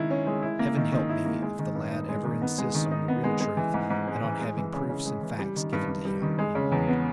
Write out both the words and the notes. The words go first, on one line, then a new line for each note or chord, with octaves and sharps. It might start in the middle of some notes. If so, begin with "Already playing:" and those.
"Heaven help me if the lad ever insists on the real truth and on having proofs and facts given to him!" he muttered.
Already playing: D#3 G#3 E4
C#4
G#3
E4
A#3
D#3
D#3
E4
A#3
G#3
D#3
G2
D#4
G#3
D#3
B3
G#3
D#3
D#4
B3
G#3
G#3
E3
G#2
G#2
G#3
E3
G#3
E3
C#3
C#3
G#3
E3
G3
D#3
G2
G2
G3
D#3
G#3
C#3
E2
B3